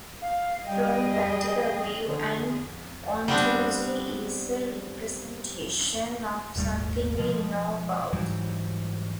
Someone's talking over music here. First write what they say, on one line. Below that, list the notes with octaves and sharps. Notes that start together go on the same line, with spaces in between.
From a practical view, an ontology is a representation of something we know about.
F5
G3 G#4 D#5 G5
D3 G#4
G3 B3 C4 D4
D#1 G#1 G3 A3
B2 F3 G#3
G#2 E3 F#3 G3